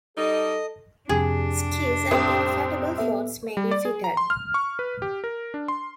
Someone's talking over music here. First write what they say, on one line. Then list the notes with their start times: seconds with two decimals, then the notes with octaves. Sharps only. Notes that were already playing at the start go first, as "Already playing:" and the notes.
Skis and inflatable floats may be fitted.
0.18 G3 D#4 A4 D#5
1.09 F2 C3 D4 G4 G#4
2.11 C2 A2 C4 D#6
2.98 B3 A4 E5
3.57 G3
3.71 D5
3.85 G#4
4.04 A#5
4.17 C6
4.30 F6
4.54 C#6
4.79 B4
5.02 G4
5.24 A#4
5.54 D4
5.68 C6